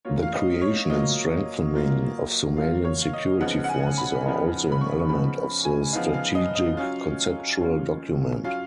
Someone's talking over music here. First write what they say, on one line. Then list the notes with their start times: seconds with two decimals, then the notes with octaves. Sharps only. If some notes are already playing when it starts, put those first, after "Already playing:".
The creation and strengthening of Somalian security forces are also an element of the strategic conceptual document.
0.05 F#3 A#3 F4 C#5
0.22 F5
0.33 D#5
0.61 C#5
0.89 F#3 A#3 F4 D#5
1.73 F#3 A#3 F4
2.57 F#3 A#3 F4 F5
2.84 C#5
3.01 F5
3.13 D#5
3.40 C#3 F3 B3 D#4 F#5
3.64 F#5
3.69 G#5
3.97 B5
4.25 C#3 F3 B3 D#4
4.72 B5
4.81 C#6
4.99 C#6
5.09 C#3 F3 B3 D#4 B5
5.65 G#5
5.93 C#3 F3 B3 D#4 F5
6.14 F5
6.35 D#5
6.55 D#5
6.77 F#3 C#4 F4 F5
7.61 F#3 C#4 F4
8.44 F#3 C#4 F4 F5